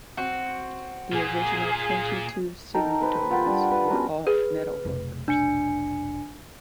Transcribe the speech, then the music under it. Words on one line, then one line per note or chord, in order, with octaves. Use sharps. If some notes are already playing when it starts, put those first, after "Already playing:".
The original twenty two signatories were all metalworkers.
C4 F#4
A#2 A#3 G#4
D#4 A4 A#4 G5
B4 C5 D5
F4 F#5 G5 B5
G3 D4
B4
B3 C#4 F#4 A#4
G#4 B4
F1 B1
D4 G#5 C#7